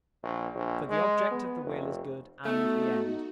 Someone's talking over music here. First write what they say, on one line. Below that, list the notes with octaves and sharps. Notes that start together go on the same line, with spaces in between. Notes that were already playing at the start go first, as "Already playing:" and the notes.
For the object of the will is good and the end.
A#1
A#1
G#3
B3
F1
A3 B3 D#4 F#4